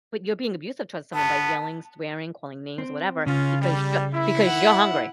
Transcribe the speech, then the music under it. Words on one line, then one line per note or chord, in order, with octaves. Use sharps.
But you're being abusive towards someone by yelling, swearing, calling names, whatever, because you're because you're hungry.
B3 A5
C4
C#3 C#4 F4
G3
E4
F#5